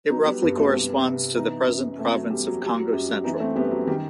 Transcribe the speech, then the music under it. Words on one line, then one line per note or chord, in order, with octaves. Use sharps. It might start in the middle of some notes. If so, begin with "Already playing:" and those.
It roughly corresponds to the present province of Kongo Central.
F#3 B3 D#4
G3 B3
G2 G3 B3
F#3 A3
C4
C3 G3 B3
C2
E3 B3 D#4
F#2
C3 A3 C4
F#3 A3
E2 G3
F#3
F#3 G3
F#3
F#2 G3
F#3
E3 B3 D#4
A3 C4
F#2 G3 B3
F#3
D#3 G3